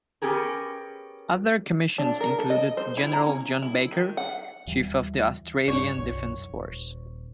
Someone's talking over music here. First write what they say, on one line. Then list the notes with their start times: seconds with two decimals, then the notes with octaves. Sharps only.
Other commissions included General John Baker, Chief of the Australian Defence Force.
0.22 B3 C#4 G4 G#4 A#4
1.98 D4
2.21 A#4
2.39 A4
2.50 D#5
2.77 C5
2.97 E4
3.13 A#5
3.27 C#4
3.62 E4
3.92 D#3
4.17 F#5
4.67 D#2 E3 G3
5.68 D1 G2 D4 C#5
5.98 B1 F#2 E3
6.51 D#1